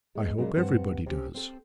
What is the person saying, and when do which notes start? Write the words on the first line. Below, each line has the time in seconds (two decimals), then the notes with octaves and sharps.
'I hope everybody does.'
0.15 G#3 B3
0.38 A#2 C#3 F#3 G#3 C#4
0.55 G2 C4 C#4 G4 C5 F#5
1.06 C3 C#4 G4
1.34 C4 A4